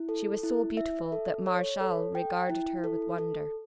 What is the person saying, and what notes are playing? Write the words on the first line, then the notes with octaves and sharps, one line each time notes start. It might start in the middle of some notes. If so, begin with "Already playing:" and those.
She was so beautiful that Martial regarded her with wonder.
Already playing: E4
A4
E4
E5
A4
C#5
A4
G5
E4
A4
A4